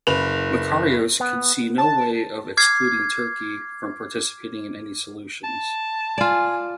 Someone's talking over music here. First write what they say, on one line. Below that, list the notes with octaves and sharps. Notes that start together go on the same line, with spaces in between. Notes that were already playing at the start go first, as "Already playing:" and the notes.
Makarios could see no way of excluding Turkey from participating in any solutions.
F#1 B4 F7
B3
A5
D6 F6 G#6 C7
A5
F4 D5 G#5